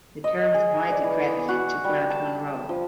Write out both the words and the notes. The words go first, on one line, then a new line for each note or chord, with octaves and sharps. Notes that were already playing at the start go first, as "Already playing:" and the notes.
The term is widely credited to Grant Munro.
D#5
G#4
D5
E3
F#4
G3
A5
F3